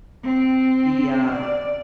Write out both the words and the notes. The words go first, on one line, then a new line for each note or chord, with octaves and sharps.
the, um
C4
D5